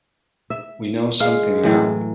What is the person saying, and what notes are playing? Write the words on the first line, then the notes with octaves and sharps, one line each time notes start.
We know something now.
E5
G#3 F5
A2 E3 F#3